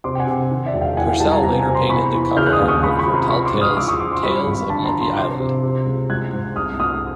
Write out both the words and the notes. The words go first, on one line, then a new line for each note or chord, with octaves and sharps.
Purcell later painted the cover artwork for Telltale's "Tales of Monkey Island".
C3 C6 D6
G5
F#5 G#5
C3
D#3
D5 E5
E1
F5 G5
E3 F#5 G#5
F5 G5
G3 G5 A5
G#5 A#5
C3 G#5 A#5
G#5 A#5
C3
A#5 C6
E2 B5 C#6
E3
C#3 F6 G6
F#6
D#6 F6
D#2
C#6 D#6
C#2 B5 C#6
B5 C#6
C3
A#5 C6
F3 B5 C#6
C6 D6
G#2
D#6 F6
C#2 D6 E6
C#6 D#6
F3 C6 D6
C6 D6
G3 B5 C#6
G#1
D3 A5 B5
A#5 C6
F3
A#5 C6
C3 C6 D6
C3
C3
C#2
G#3 F#6 G#6
G#2
C2 D#6 F6
A3 D#6 F6